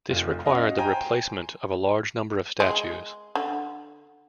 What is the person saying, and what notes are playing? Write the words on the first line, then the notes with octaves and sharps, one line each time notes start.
This required the replacement of a large number of statues.
F1 F4
C#4 F#4 D#5 F5
C5 G5 G#5 A#5
G#3
D3